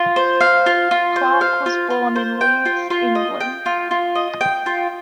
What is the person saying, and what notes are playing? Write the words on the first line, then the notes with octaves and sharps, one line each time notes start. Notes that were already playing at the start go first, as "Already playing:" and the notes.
Clark was born in Leeds, England.
Already playing: F4
C5
F5
F4
F4
C5
F5
F4
F4
C5
G5
F4
F4
D#5
G5
F4
F4
D#5
G5
F4